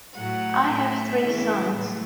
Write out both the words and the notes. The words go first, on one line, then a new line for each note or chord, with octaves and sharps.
I have three sons.
A2 F#3 A3 F#5
A2 A3 E5
C#3 E3 A3
A2 F#3 A3